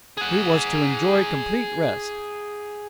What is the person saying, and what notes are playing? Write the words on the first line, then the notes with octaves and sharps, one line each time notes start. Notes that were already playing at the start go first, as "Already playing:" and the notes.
He was to enjoy complete rest.
G#4 F#5